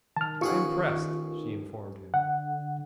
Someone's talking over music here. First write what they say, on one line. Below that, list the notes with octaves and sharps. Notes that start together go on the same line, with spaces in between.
"I am pressed," she informed him.
D#3 A5 F6
A1 F4 G#4 F#5 C#6
D3 F#5